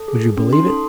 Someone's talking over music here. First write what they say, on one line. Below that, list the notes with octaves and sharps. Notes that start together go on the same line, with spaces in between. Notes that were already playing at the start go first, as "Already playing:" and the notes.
Would you believe it?
Already playing: A4
G#4
G#4
C#4
D#4 C6
A4